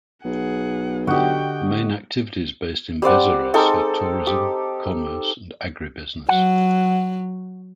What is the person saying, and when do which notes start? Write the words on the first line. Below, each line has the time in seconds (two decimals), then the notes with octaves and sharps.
The main activities based in "Bezerros" are tourism, commerce and agribusiness.
0.25 B1 G#4 F#5
1.07 D3 F#4 G4 D#5 G5
3.02 G3 C4 D5 F#5
3.54 G#3 D#4 A4 G5
4.27 G4
6.29 F#3 F#5